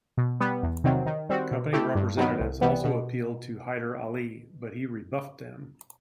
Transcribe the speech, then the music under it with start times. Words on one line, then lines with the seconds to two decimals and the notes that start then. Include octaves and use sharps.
Company representatives also appealed to Hyder Ali, but he rebuffed them.
0.17 B2
0.40 G3 B3
0.63 E2
0.84 C3 D#3 F#3 C4
1.06 D#3
1.29 G3 C4 F#4
1.51 B2
1.73 A3 E4 G4
1.95 G2
2.17 D#3 F#3 B3
2.40 C2
2.61 C3 E3 G3 B3
2.84 B2